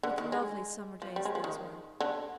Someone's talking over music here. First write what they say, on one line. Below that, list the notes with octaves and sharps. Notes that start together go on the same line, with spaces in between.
What lovely summer-days those were!
D3
D#3
G#3
F3
G3
G#3
F3
D#3
D3